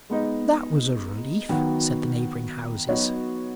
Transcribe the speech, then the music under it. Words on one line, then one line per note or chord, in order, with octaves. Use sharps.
"That was a relief," said the neighboring houses.
G#3 B3 D#4
D#3 F#3 B3 F#4
F#3 B3 D#4 F#4 C#5